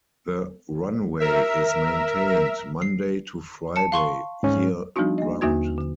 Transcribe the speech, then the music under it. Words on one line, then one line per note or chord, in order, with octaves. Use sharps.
The runway is maintained Monday to Friday year-round.
A#4 E5
C7
A5 C#7
F5 C6 C#6
G#2 C#4
F3 G3 B3 D4 D#4 F#4
A#3 D#5
D#2 D3 A#3 D#4 F#4 G#6
D3